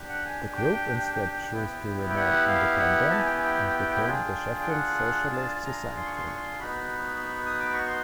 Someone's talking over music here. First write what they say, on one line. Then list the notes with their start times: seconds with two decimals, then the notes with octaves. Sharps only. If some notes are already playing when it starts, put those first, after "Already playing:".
The group instead chose to remain independent, and became the Sheffield Socialist Society.
Already playing: D4 G4
0.09 F#5
0.25 G#5
0.57 G5
0.89 G5
1.52 B3 E4 G4
2.09 G5
2.16 F#5
2.48 F5
2.79 F#5
3.11 A5
3.19 G#5
3.26 G5
3.34 G#5
3.43 G5
4.07 D4 F4 G#4
4.60 G5
4.69 F#5
5.33 A5
5.65 A#5
5.97 C6
6.06 C#6
6.16 C6
6.27 C#6
6.36 C6
6.60 B3 D#4 F#4 B5
7.46 D#6
7.60 D6
7.73 C#6
7.87 C6